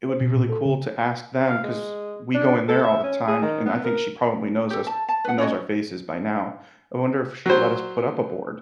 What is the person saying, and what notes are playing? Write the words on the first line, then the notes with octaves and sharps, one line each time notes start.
it would be really cool to ask them 'cause we go in there all the time, and I think she probably knows us knows our faces by now. I wonder if she'd let us put up a board
C5
B2
A#2
A4
C#3
F5
G#3
D4
A4
E5
C#4
G#4
D#3
B3
A#4
G4 A4
A5
A5
B4 F#5
C#4 F#4 C#5 D#5
F#3 C5